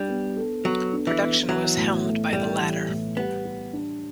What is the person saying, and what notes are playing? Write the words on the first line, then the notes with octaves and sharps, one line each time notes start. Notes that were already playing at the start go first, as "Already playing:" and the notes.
Production was helmed by the latter.
Already playing: G3 D4
B3
A4
F#3 B3
D4
E3
B3
E3 F#3
A2
A3
A2 G3
E3
A2
G3 B3
G4
D4